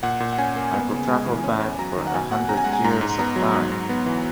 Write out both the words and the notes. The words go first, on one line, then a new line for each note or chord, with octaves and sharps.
I could travel back for a hundred years of time.
A#2 F#5
A#2
F#5
C#4 G#5
A#3
B3
C#3
G#3 G#5
E3
C#4
E2
F#3 A#5
D#3
F#5
B2 G#5
B2 F#5
C#4 A#5
G#5
G#3 F#5
G#5
G#2 A#5
G#2
B3 A#5
F#3
G#2
G#2
B3
E3